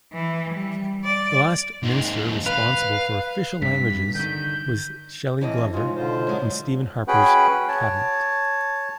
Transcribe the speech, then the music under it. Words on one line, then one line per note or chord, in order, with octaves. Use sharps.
The last Minister responsible for Official Languages was Shelly Glover in Stephen Harper's Cabinet.
E3
G3
D5
D#2 G#2
B4 F5
G2 C3 B6
D3 D#3 G6
F2 E3 C#4 D#5
G#2 C#3 F4
B2 D3 F4 C5
F#3 G#3 D4
C#4 F#4 G#4 B4 F#5 G5
C#5 A5